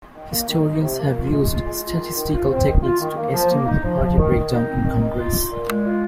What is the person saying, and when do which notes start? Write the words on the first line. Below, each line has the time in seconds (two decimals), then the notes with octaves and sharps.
Historians have used statistical techniques to estimate the party breakdown in Congress.
0.14 D#3
0.32 A#3
0.48 D#3
0.65 D#4
0.82 C3
0.99 A#3
1.15 F4
1.32 G#3
1.49 F4
1.66 G#3
1.82 F4
1.98 D#3
2.16 D#3
2.33 F4
2.49 C4
2.66 D#3
2.82 F4
2.99 D#3
3.17 A#3
3.33 F3
3.50 A#3
3.66 D#4
3.83 F3
4.00 F3
4.17 D#3
4.33 D#3
4.50 D#4
4.67 C4
4.84 D#3
5.01 D#4
5.17 F4
5.33 F4
5.50 A#2
5.68 G#3
5.84 F4